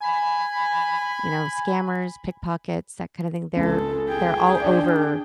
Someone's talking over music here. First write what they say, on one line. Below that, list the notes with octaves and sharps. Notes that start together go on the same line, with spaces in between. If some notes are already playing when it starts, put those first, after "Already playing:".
you know, scammers, pickpockets, that kind of thing, they're they're all over
G#5 B5
C#2 G#3 A4
G#4 G5
D4 D5